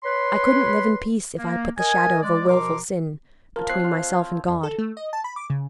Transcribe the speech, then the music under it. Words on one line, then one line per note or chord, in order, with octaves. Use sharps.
I couldn't live in peace if I put the shadow of a wilful sin between myself and God.
B4 C#5 B5 C6
A#3
A#4 D#5 G#5
G#3 D5
B2 F3 A#4 A#5 C6 D6
F3 A#4
C4 C5 C#5 F#6 C7
F4
F2
A4
A3
D#5
A5
B5
D6
C#3